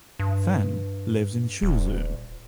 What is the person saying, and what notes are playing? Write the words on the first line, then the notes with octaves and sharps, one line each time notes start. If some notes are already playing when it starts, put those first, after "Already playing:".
Fan lives in Suzhou.
G2
D#1